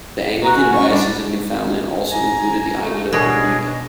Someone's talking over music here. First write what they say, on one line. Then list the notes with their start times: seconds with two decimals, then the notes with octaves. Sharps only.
The Anglican diocese of Newfoundland also included the island of Bermuda.
0.44 F#4 A#5
0.56 C#4
0.73 C#6
0.90 G3 D4
2.10 G#5 A#5
2.81 A3
3.13 B2 D4 G#4 C#5 D#5